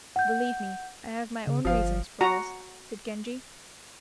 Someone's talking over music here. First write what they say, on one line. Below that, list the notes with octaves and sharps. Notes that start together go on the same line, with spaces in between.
"Believe me, I have my own reasons for this," said Genji.
F#5 G6
C#3
G1 F3 F5
F#4 A#5